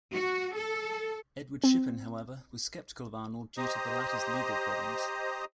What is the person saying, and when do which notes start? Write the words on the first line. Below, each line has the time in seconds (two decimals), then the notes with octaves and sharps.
Edward Shippen, however, was skeptical of Arnold due to the latter's legal problems.
0.13 F#4
0.55 A4
1.64 C4
3.57 G4 C5 D#5 A#5 D#6